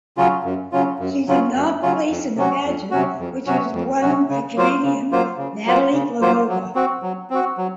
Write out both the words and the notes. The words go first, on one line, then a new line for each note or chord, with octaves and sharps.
She did not place in the pageant, which was won by Canadian Natalie Glebova.
C#3 F#3 C#4 F4
F#2
C#3 F#3 C#4 F4
F#2
C#3 F#3 C#4 F4
F#2
C#3 F#3 C#4 F4
F2
C3 F#3 C#4 F#4
F2
C3 F#3 C#4 F#4
F2
C3 F#3 C#4 F#4
F2
C3 F#3 C#4 F#4
C#3
F#3 A#3 F4 C5
C#3
F#3 A#3 F4 C5
C#3
F#3 A#3 F4 C5
C#3
F#3 A#3 F4 C5
F#3
C4 F#4
F#3
C4 F#4
F#3